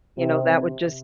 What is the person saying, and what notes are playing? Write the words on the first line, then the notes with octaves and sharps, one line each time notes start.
you know, that would just
C3